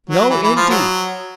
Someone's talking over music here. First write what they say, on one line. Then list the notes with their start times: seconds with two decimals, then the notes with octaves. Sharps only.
"No, indeed."
0.09 F#3
0.29 E3
0.43 E3
0.56 F3
0.70 F#3